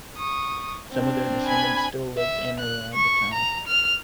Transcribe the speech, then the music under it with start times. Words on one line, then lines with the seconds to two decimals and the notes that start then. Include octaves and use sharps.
Some of their descendants still live in or around the town.
0.17 C#6 D#6
0.92 C4 D4
1.45 G#5 B5 G#6
2.17 E5
2.59 F#6
2.93 C#6
3.33 A#5
3.67 F6